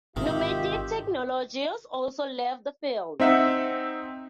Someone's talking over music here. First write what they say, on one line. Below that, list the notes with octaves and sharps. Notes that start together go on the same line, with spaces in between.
Nomadic Technologies also left the field.
G#1 C3 D#3 F4 G4 E5
C4 D#4 E5 F#5